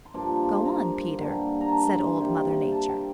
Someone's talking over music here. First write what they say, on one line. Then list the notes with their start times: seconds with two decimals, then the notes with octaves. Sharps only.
"Go on, Peter," said Old Mother Nature.
0.05 C6
0.14 G2 F3 A#3 D4 D6
0.41 C6
0.65 A#5
1.18 G2 D3 G3 A#3
1.61 A#5
1.68 A5
1.95 C6
2.20 C3 G3 A#3
2.72 A5
2.89 G5